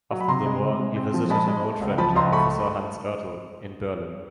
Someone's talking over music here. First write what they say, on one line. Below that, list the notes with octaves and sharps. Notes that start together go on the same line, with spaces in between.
After the war he visited an old friend Professor Hans Ertel in Berlin.
F#3
B5
C3 A#5 C6
G#3
C3
G#3
C4
F3
G#3 A5 B5
G#3
A3
C#2
F3 A5 B5
C#2 A#5 C6
A3 B5 C#6